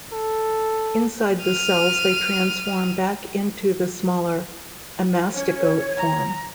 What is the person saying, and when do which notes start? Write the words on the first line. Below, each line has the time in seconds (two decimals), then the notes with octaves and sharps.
Inside the cells they transform back into the smaller amastigote form.
0.13 A4
1.43 F6 D#7
5.34 C#4 C#5
5.97 A#5